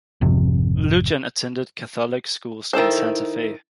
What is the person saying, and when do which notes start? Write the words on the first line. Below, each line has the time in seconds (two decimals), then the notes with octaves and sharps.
Lujan attended Catholic schools in Santa Fe.
0.21 G#1 F2 C3
2.73 D#3 E4 A4 C5